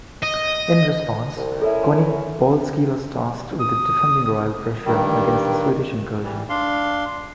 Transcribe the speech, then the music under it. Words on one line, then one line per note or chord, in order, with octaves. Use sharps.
In response, Koniecpolski was tasked with defending Royal Prussia against the Swedish incursion.
D#5
C2
C#4 E4 A4 A#4 E5
D#6
G2 D#3 G3
E3 G3
D4 F5 C6